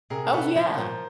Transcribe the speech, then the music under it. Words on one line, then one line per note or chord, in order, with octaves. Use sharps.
Oh yeah.
C3 G#4 A#4
A#4
C3 A4 B4
F3 C5
C#5
F3 A#4 C5